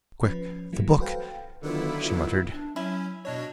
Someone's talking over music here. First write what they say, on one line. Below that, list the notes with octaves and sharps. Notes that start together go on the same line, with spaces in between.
"Quick--the book," she muttered.
F3 C#4 B4
E3 F#3 G3 A3 A#3 E4
F#4 A4 B4 C5 F5 G5
D3 D#3 F#3 B3 E4 F4
D4
F#3 C#4 E4
B2 D4 C#5 D#5